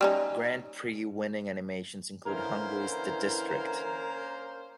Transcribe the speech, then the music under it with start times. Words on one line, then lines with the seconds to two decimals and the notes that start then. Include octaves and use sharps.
Grand prix winning animations include Hungary's The District!
0.01 G3 C#4 D#4
2.26 D3 E3 A#3 C#4 E4 A#4 C5